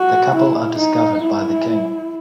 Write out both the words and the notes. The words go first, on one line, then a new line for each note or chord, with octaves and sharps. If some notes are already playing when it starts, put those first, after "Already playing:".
The couple are discovered by the king.
Already playing: F#4
E4
D#4
E4